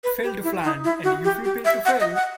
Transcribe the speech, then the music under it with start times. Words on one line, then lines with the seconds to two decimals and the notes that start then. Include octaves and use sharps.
Fail to plan, and you Prepare to fail.
0.04 B4
0.23 G4
0.44 E4
0.64 D#4
0.84 E4
1.04 F#4
1.24 G4
1.44 G4
1.65 E5
1.85 F#5
2.00 D#5
2.15 F#5